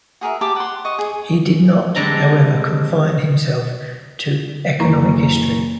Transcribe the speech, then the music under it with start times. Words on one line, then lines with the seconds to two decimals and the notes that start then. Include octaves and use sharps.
He did not, however, confine himself to economic history.
0.21 F#4 G#4 A#4 E5
0.41 G4 A5 D6
0.56 F#5 C6
0.85 D#5 C#6
0.99 G#4
1.96 D3 G3 G#3 C4 A#5
4.80 F#1 E3 A#5 C#6